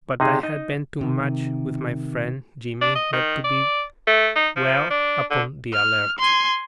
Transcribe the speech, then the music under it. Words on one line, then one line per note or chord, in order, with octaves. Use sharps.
But I had been too much with my friend Jimmy not to be well upon the alert.
C3 D#4 G#4
D#4 D#5
C3 D#3
D4
D#5
D#3
D5
A3
D#4
F3
D4
D3
F6
G#5 C6